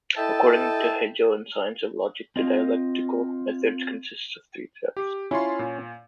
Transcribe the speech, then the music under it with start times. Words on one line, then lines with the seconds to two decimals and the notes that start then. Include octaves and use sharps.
According to Hegel in "Science of Logic", the dialectical methods consists of three steps.
0.16 E4 A4 D#5 E5 G5 A5
2.36 C4 F4 D#5
4.97 G4
5.31 C#4 E4 F4 C6
5.59 A#2